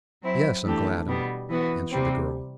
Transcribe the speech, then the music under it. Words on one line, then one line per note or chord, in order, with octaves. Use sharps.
"Yes, Uncle Adam," answered the girl.
F#3 C4 E4
E3 A3 D4 G4
B2 G3 B3
E3 B3 F#4
C3 G3 C4